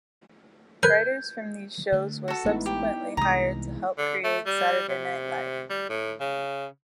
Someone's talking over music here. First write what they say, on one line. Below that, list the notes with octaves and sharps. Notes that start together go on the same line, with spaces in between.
Writers from these shows were subsequently hired to help create Saturday Night Live.
A#4 B4 G6 G#6
D3 A3
F#4 A4
A1 G#3 A3 B3 D#4 E4
G4
C2 C3 E3 G#3 A#5 D#6
D3
A3
G3
C3
G3
A2
C#3